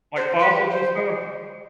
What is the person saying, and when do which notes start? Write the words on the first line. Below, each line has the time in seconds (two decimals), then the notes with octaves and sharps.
Like fossils and stuff?
0.16 C5
0.39 B4
0.71 C5